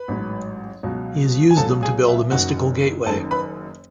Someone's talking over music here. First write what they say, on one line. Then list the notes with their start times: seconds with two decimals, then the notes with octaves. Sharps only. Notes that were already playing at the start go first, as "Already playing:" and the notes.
He has used them to build a mystical gateway.
Already playing: B4 B5
0.08 A1 G#2 F#3
0.83 C#2 B2 F#3
1.51 G#5
1.57 C#2 B2 F#3 A4 A5
1.83 G#4 G#5
2.08 E5
2.31 F#1 F#2 D#3 F#4 F#5
3.06 F#1 F#2 D#3 A4 A5
3.31 B4 B5